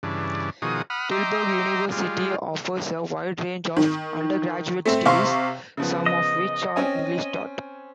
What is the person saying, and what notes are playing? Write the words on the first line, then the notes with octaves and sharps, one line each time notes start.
Tilburg University offers a wide range of undergraduate studies, some of which are English-taught.
G2 C#3 E3 D4
B2 D#3 F3 F#4 G#4 D#6
F#5 B5 D#6 F6
D#5 E5 G5 A#5 C6 D6
G3 G#3 F4
D#3
A3 C4
C3 F5 C6 C#6
C#3 F3 B3
D#5
C4 C#4 G#5